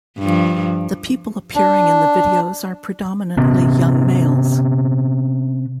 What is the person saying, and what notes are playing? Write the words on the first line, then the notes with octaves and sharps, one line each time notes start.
The people appearing in the videos are predominantly young males.
G2 F3
D4
C3 B3 C#4